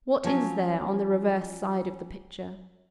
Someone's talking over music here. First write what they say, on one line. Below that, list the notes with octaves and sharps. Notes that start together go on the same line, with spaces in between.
What is there on the reverse side of the picture?
F3 F#3 C#4